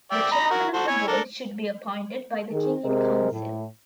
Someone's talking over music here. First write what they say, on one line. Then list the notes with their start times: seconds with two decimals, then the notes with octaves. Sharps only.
The Chairman of the board should be appointed by the King in Council.
0.11 D5 E5 G5
0.31 D#5 A#5 B5
0.51 F#4 A#4
0.74 F#4 A4 C5
0.88 E4 C#5 G#5
1.08 D4 A4 A#4
2.51 D#3 G#4
2.83 C3 G#3 G#4 A#4 C5 D#5
3.31 A2